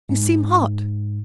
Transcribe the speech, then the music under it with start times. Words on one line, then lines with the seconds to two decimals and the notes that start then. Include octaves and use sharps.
"You seem hot."
0.09 G#2